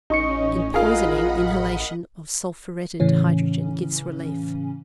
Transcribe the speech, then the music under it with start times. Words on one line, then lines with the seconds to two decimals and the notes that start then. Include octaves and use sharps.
In poisoning, inhalation of sulphuretted hydrogen gives relief.
0.10 A1 C#4 D#4 C#6 C#7
0.74 F4 G#4 A#4 D#5 F5 F#5 B5
3.00 A2 C#3 E3 C#4